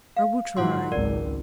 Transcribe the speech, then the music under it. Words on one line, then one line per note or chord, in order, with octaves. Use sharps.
"I will try."
F5
G#2 F#3 F4 F#5 C6
G#1 C#2 A#4 D5